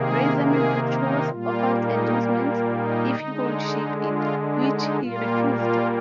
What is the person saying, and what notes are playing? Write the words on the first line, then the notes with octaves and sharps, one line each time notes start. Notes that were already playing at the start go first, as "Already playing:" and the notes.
Razor manufacturers offered endorsements if he would shave it, which he refused.
Already playing: C3 D#3 A#3 G#4
G#4
D#4
A#2 G3 A#3 F4
D#4
D#4
D3 G#3
F4
D4
D#4
A#2 G3 A#3 F4
F4